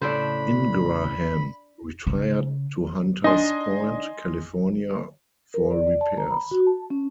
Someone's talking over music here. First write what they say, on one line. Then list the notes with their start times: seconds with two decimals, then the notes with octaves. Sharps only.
"Ingraham" retired to Hunter's Point, California, for repairs.
0.02 A2 C#3 D4 A4 C5 B5
2.07 C#3
3.24 D4 D#4 D#5 G#5 C6
5.54 A#4
5.71 D5
5.87 D5
6.01 A5
6.17 A#5
6.31 B5
6.51 F#4
6.67 A5
6.90 C#4